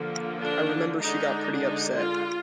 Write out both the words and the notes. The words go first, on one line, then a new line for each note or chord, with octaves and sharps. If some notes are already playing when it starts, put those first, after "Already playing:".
I remember she got pretty upset.
Already playing: D3 F3 A#3
D4
D3 G#3 D4 D#4
D#4
F4